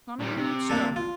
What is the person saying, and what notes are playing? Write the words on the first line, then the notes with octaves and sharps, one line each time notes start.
None of you need stir.
A#2 G3
C3
A#3 D4 A4
F4